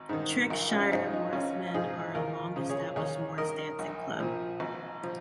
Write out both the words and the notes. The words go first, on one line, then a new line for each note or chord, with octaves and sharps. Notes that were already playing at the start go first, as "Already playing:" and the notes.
Triggshire Morris Men are a long established Morris Dancing club.
Already playing: G#1
G#2 D#3
A#1 F4 A#4
C#4 F4
G#2 F3 D#4
D#4
G#1 C#4 F4
F4
G#2 F3 D#4 G#4
D#2 F4 A#4
C#3 F3
G#4 C#5
D#2 G#4 C#5
D#3 A#4 D#5
A#1
A#2 F3
G#1
F3